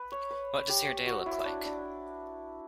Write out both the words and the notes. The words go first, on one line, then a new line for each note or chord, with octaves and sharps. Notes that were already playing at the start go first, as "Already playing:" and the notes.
What does your day look like?
Already playing: B4
C#5
B4
G4
F#4
E4
D4
D4